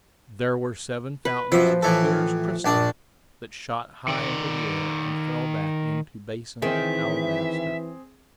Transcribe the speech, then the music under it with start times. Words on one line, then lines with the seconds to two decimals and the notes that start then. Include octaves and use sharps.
There were seven fountains as clear as crystal that shot high into the air and fell back into basins of alabaster.
1.25 B4
1.52 F#2 F3 E5
1.83 A2 E3 A4
2.65 A#1 D4 D5
4.08 D#3 D5
6.62 D#3 E3 C4 G#4 E5